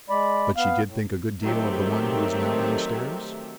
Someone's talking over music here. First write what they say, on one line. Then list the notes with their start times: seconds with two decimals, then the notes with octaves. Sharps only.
"But she did think a good deal of the one who is now downstairs?"
0.09 G#3 D5 B5
0.56 B3 F5
0.86 A2
1.43 D#3 F#3 A3 C4 G4 E5